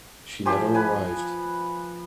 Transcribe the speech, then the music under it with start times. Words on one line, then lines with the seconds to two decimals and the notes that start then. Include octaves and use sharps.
She never arrived.
0.45 F3 G4 C5 G#5
0.74 B4 G#5